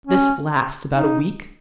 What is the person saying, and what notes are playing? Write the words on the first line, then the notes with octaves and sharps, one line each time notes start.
This lasts about a week.
C#4
D#4